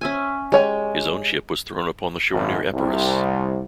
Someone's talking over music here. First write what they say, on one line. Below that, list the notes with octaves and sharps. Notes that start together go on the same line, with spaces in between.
His own ship was thrown upon the shore near Epirus.
C#4 E5 G#5
G#3 G4 C#5 G#5
G#1
C2